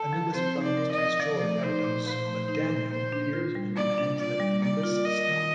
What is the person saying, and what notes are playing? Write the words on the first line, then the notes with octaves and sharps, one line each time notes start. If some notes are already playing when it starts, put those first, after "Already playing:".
Anubis plans to destroy Abydos but Daniel appears and demands that Anubis stop.
Already playing: A4
F3
C4 C5
D#4
D5
A#4
D#5
F3
F3 D5
A3
D#4 C5
A#2
F3 C5
A3
D#4
A#2
A#3 C5
D4
F4
G3
A#3 D5
D4
F4 D5
G3
A#3 D5
F4
A#4 D#5
D#3